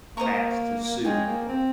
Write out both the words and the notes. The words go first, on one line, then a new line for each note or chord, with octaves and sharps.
fast to sue for
A#3 C5 D#5 A#5 C#6
G#3 F4 G#4 C#5 G5
A#3
C4